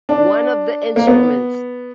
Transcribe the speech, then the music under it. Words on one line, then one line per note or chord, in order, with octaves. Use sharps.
One of the instruments?
D4
A#3
B3